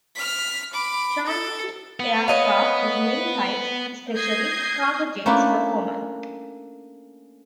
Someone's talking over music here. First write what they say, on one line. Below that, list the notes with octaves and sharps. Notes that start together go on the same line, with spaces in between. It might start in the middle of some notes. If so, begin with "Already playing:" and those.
Transient aircraft of many types, especially cargo jets, were common.
F6 B6
B5 D6
A4
B3
C#5 D#5 F5
D#6 G6 G#6 A#6 C7
A3 A#3 C#4 D4 E4